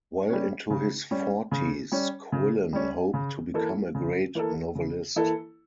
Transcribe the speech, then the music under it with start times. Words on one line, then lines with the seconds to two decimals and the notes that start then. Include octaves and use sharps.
Well into his forties, Quillen hoped to become a great novelist.
0.30 G3 C#4
0.70 C#3
1.11 G3 C#4
1.51 C#3
1.92 G3 C#4
2.32 C#3
2.73 G3 C#4
3.14 C#3
3.54 E3 A#3 E4 A4
3.95 C#3
4.35 E3 A#3 E4 A4
4.75 C#3
5.16 E3 A#3 E4 A4